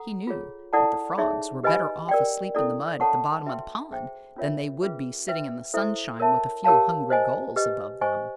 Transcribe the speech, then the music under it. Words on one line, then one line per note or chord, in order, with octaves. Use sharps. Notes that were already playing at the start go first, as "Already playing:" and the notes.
He knew that the Frogs were better off asleep in the mud at the bottom of the pond, than they would be sitting in the sunshine with a few hungry Gulls above them.
Already playing: A4 F#5 A#5
F4 G#4 C#5
E4 A4 D5 F#5 A5
D#4 G#4 C#5 E5
G4 B4 D#5 G#5 B5
A#4 D5 G5
C#4 E4 A4 D5
A4 C#5 F#5 A5 C#6
F#4 B4 E5 G5 C6
G#4 C5 E5 G5
C#4 F4 A#4 C#5 E5
C#4 F4 G#4 B4 E5
B4 E5 G5
E4 A4 C5 E5
A#4 C#5 E5 A5
G4 A#4 C#5 F5 A5
C5 D#5 G#5
G4 B4 D#5
C5 D#5 G#5 C#6